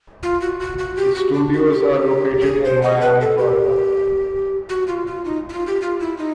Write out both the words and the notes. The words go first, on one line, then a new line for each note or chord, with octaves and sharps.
Its studios are located in Miami, Florida.
F4
F#4
F#4
F#4
G4
F#4
D4
F#4
G4
G4
G#4
C5
D#5
B4
A4
G4
F#4
F4
F4
D#4
E4
F4
G4
F4
E4
D#4